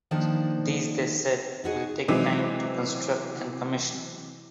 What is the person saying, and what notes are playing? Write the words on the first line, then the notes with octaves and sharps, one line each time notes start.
These, they said, will take time to construct and commission.
D#3 F3 A#3 D4 D#4 C5
D#4 F#4 G#4 D#5
C3 E3 F#3 G#3 C4